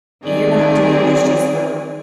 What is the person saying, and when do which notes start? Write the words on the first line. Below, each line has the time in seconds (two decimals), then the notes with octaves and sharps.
"You're not doing this just for
0.23 D#3 C4 G#4 D5